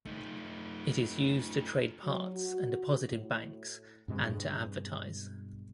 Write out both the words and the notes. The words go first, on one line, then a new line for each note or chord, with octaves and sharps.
It is used to trade parts and deposit in banks, and to advertise.
A3 D#4
F#3
F#4
A2
G2 B2 G#3 C4